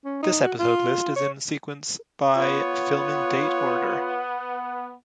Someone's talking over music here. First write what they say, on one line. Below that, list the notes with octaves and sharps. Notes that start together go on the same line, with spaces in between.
This episode list is in sequence by "filming date order".
C#4
D#4
F#4
F4
C#5
B3 F4 C#5